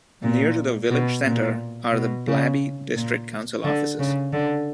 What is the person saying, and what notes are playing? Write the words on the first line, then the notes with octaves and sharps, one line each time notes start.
Near to the village centre are the Blaby District Council offices.
A#2
B2
A#2
B2
C#3
A#2
D3
C#3
D3